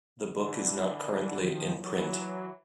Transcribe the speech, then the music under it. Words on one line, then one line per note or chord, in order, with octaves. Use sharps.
The book is not currently in print.
D3 E3
D#3 F3
E3 F#3